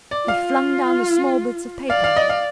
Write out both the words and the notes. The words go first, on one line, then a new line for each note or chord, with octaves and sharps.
He flung down the small bits of paper.
D5
F4 F5
D5 F5
F5
D#5
F5